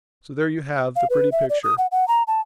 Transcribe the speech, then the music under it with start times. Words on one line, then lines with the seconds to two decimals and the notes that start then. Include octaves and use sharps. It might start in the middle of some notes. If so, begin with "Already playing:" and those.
So there you have the pretty picture.
0.96 F5
1.10 B4
1.32 E5
1.50 D5
1.63 D#6
1.78 F#5
1.92 F#5
2.08 A#5
2.27 A5